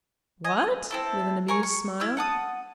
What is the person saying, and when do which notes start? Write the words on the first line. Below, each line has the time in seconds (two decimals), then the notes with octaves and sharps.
"What?" with an amused smile.
0.44 D#5 G#5
0.91 C4 E4 A4
1.48 A#4 G#5 C#6
1.63 C#6
2.00 E4 E6 F6
2.17 F#5 A5 D#6